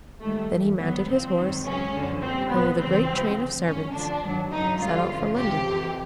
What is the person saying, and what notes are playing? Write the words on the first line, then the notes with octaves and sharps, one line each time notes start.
Then he mounted his horse, and with a great train of servants set out for London.
G#1 G#2 D#3 G3 A3
G1 G2 E3
G#1 G2 D#3 F#3 B3
C2 A#2 F3 C4
G#1 F#2 D#3 F#3
C#2 C#3 F#3 C#4
F#2 D3 F3
A#1 A#2 G3 C4
A#1 A#2 F3 B3
E2 C#3 E3 G3 C4
C#2 C3 F3
D2 C#3 F3
G#1 F#2 D3 C#4
D2 D3 F3 D4
G1 F#2 D#3 F#3
G1 F2 C#3 F#3 D#4
D2 D3 G3 F4
F2 C#3 E3
C#2 C3 F3 G4
F2 C3 E3